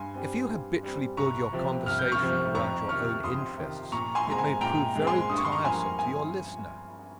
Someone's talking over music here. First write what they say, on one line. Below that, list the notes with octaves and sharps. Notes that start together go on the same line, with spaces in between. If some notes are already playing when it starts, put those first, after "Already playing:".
If you habitually build your conversation around your own interests it may prove very tiresome to your listener.
Already playing: G2 G#5 C6
G3 C4
G2
G3 C4
C2 A#5 C#6
C3 F3 C4
C2 F6
G6
C#6 F6
C3 F3 C4
F2 A#5 C#6
C3 D#3 C#6 F6
F2 C6 D#6
C3 D#3
A#2 A#5 C#6
G#5 C6
G#3 C4 A#5
G#5
A#2 G5 A#5
G#3 C4
G#5 C6
G2 D#6
C#6
C6
A#5 C#6
F3 A#3 G#5 C6
G#5